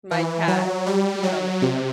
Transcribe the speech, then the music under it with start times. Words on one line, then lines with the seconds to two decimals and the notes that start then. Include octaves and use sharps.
my cat peed on the floor.
0.11 E3
0.48 F#3
0.86 G3
1.23 F#3
1.62 C3